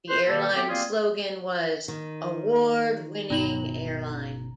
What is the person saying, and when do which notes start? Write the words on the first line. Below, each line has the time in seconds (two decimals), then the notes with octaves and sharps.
The airline's slogan was "Award-winning airline".
0.09 E2 F4 B4 C5
0.27 B2 D#3 A#3 E4 A4
0.55 A3 B3 C4 G4
0.68 G3 A#3 C4 F4 G4 G#4
1.88 D#3
3.30 G1 B2 B3 D#4 A#5 F#7